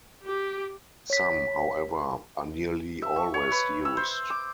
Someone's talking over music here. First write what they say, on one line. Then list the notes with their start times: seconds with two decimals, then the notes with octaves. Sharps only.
Some, however, are nearly always used.
0.25 G4
1.10 C#5 B6
3.02 E5
3.16 C#6
3.34 C#5
3.52 B4
3.85 E6
3.97 C5
4.30 D6